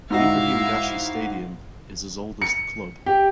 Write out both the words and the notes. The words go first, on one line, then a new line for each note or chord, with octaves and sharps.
Ibrahim Gashi stadium is as old as the club.
G#2 D#4 E4 F#4 E5 F5
C#7
G4